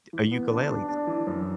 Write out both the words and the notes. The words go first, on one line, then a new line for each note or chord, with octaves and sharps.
a ukulele.
E3
B3
D4
D4
D4
E3
F#2